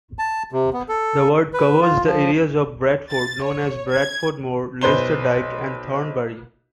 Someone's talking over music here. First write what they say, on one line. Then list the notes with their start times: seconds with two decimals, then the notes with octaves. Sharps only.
The ward covers the areas of Bradford known as Bradford Moor, Laisterdyke and Thornbury.
0.19 A5
0.52 C3
0.73 B3
0.89 A4
1.54 B4
1.81 F4
2.06 F3
3.11 A6
3.43 C#5
3.90 G#6
4.81 B1 B4 C5 G7